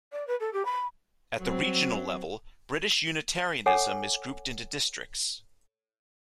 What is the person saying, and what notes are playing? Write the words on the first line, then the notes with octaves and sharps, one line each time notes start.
At the regional level, British Unitarianism is grouped into Districts.
D5
B4
A4
G4
B5
F#3 C4
A4 C#5 F#5 G#5 D6